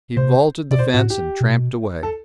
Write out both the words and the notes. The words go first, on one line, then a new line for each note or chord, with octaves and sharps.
He vaulted the fence and tramped away.
C3 C5
C3 D5
B2 C5
A2 F#4
G4
B2
A4